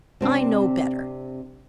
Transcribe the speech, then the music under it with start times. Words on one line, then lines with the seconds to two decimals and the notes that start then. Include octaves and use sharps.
I know better.
0.21 C3 C4 D4